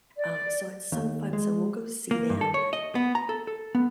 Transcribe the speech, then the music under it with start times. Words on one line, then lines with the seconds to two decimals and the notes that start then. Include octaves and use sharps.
Um, so it's so fun, so we'll go see them,
0.17 D5
0.92 D#2
1.33 G#3
2.11 A#3
2.30 G2
2.41 A4
2.54 C#5
2.73 D#5
2.95 B3
3.15 A#5
3.29 A4
3.47 A4
3.75 B3